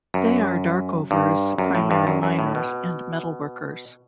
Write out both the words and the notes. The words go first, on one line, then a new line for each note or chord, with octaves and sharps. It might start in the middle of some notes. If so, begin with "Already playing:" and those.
They are Darkover's primary miners and metalworkers.
F#2
G2
F#2
A2
G2
F#2
F#2
A2
B2